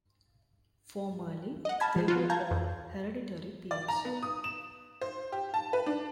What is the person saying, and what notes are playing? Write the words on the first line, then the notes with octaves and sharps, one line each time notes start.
Formerly, they were all hereditary peers.
D#5 F#5
A5 B5 F6 G#6
F3 C5
F4 F#4
F5 A5 A#5 G6 G#6
F2
D5
A#5
B3
D#6
E7
C5
G4
A5
B4
D4